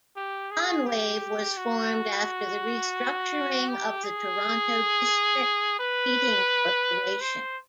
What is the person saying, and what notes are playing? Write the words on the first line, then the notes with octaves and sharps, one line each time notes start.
Enwave was formed after the restructuring of the Toronto District Heating Corporation.
G4
G#4
G4
F#4
G4
G#4
B4
C5